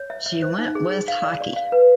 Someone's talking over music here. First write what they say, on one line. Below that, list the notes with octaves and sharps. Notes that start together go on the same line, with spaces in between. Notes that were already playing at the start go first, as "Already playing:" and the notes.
She went with hockey.
Already playing: C#5
E5
E5
C5
D#4
G#4
G#4
F5
D5
D5
F5
B4